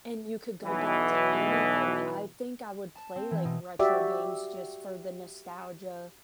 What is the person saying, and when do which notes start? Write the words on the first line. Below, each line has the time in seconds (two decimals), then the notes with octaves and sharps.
and you could go back to anything. I think I would play, like, retro games just for the nostalgia
0.65 B1 B2 E3
2.95 A5
3.16 C4
3.31 E3
3.45 B2
3.79 F#4 G4 D5 E5